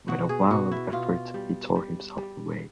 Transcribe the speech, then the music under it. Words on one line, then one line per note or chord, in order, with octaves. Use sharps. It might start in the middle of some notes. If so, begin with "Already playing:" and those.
And with a violent effort he tore himself away.
B2 F#4
G#4
B2 F#4
E4
B2 F4
G3
G3
G3